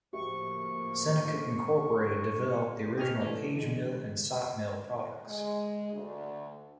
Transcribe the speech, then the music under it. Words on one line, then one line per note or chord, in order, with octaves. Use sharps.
Seneca Incorporated developed the original PageMill and SiteMill products.
A2 F3 A#3 F#4 G4 E5 C#6
G4 D#5 G#5 A#5 C#6 F6
E3 F#3 A3 D4
E2 D3 G#3
G#3
D2